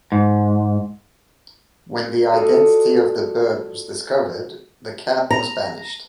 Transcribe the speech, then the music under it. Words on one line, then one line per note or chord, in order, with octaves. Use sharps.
When the identity of the bird was discovered, the cat was banished.
G#2
F4 F#4 A4 D5 D#5
A#5